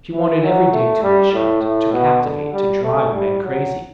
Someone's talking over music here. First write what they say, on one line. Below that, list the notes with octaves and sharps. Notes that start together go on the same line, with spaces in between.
She wanted every day to enchant, to captivate, to drive men crazy.
E3
F#3
A3
G3
A2
A2
B2
D3
G3
A3
G3
F#3